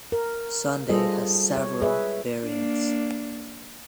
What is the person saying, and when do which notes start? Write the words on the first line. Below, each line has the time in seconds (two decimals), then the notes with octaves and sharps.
Sunday has several variants.
0.12 A#4
0.89 G3 F4 G#4 A4 C5 D#5
1.57 C#5
1.82 G#4 B4 C#5 D#5 E5
2.43 A#3 D4